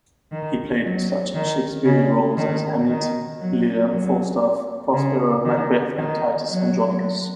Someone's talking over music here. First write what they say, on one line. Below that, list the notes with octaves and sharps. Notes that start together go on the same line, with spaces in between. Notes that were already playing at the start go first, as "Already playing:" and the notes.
He played such Shakespearean roles as Hamlet, Lear, Falstaff, Prospero, Macbeth and Titus Andronicus.
D#3
F#3
D#3
C#3
D#3
D#3
F#3
F#3
C#3
D#3
D#3
F#3